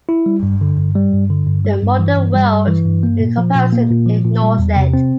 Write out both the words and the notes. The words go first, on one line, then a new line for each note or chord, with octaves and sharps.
The modern world, in comparison, ignores it.
E4
G3
G2
D3
G2
G3
G2
D3
G2
G3
G2
E3
G2
G3
G2
E3
G2
A#3
A#2
F3
A#2
A#3
A#2
F3
A#2
G3
E2
C3
C4